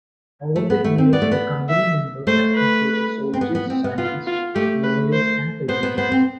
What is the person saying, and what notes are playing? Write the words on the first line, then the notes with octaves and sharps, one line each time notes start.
Over the years the Company members have included soldiers, scientists, lawyers and politicians.
A3
B3
A3
C4
B3 D5
A3
B3
E5
A3 C5
B4
C4
B3
B3
C4
B3
B3 F4
F4
A3 G4
B4
C5
B3 C5
B3
B3 C5
C4